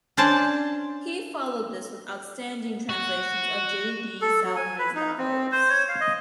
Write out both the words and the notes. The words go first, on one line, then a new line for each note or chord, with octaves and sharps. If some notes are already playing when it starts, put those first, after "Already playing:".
He followed this with outstanding translations of J. D. Salinger's novels.
C#4 D4 C5 D5 A5
F#4
A4
F#3
G#5
B4
D#4
C4
C5
C#5
F5
D#5